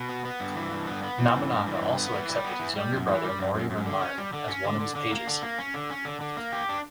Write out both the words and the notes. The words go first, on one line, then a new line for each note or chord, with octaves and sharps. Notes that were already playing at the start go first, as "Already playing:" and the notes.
Nobunaga also accepted his younger brother Mori Ranmaru as one of his pages.
Already playing: B2
B3
B3
G2
E3
G2
B3
B3
E3
G2
G2
E3
G2
B3
E3
G3
B3
E3
G3
F#2
E3
G3
F#2
F#2
F#2
D3
C#4
G3
D3
C#4
D3
D3
D3
A#3
D3
A#3
C#4
D3
C#4
D3
D3
A#3
G4
D4